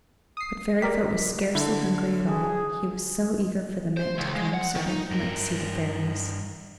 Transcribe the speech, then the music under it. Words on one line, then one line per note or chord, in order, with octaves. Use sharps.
But Fairyfoot was scarcely hungry at all; he was so eager for the night to come, so that he might see the fairies.
D#6 C7
G4 A#4 D5 B6
D3 E4
G#4
C5
C#2
G#3
F#5
D#3
D#4
G2 A#4